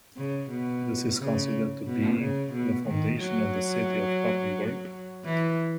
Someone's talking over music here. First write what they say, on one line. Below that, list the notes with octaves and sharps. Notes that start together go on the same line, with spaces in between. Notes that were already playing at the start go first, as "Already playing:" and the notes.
This is considered to be the foundation of the city of Papenburg.
C#3
B2
C#3
B2
C#3
B2
D#3
F#3
E3